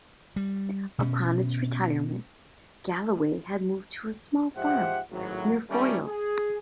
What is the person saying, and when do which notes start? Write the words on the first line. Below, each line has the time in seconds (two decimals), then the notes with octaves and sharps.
Upon his retirement, Galloway had moved to a small farm near Foyil.
0.36 G3
0.99 B2 C4 C#4
4.56 G#2 F3 G4 C5 E5 F#5
5.11 G#1 A2 F#3
5.70 D#3 G3 A3 C#4
6.07 G#4